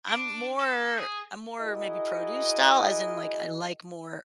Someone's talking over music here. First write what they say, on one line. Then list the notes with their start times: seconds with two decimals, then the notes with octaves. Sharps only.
I'm more I'm more more maybe produce style as in, like, I like more,
0.09 D4
0.60 A4
0.98 G#4
1.59 E4 F#4 G#4 A#4 D#5